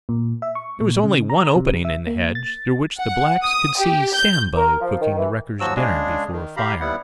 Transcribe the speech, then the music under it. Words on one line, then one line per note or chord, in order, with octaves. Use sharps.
There was only one opening in the hedge, through which the blacks could see Sambo cooking the wreckers' dinner before a fire.
A#2
E5
C#6
A#2
C#3
A#5
C3
E5
A#3
A6
F#5
D#6
G4
G6
A#4
F3
D#3
E3
D#2 F3 F#3 F#4 E6
C#3 G#3 D4 G#4
D#3
G4 F5 A#5 B5
D#2 G3 B3 E4 F#5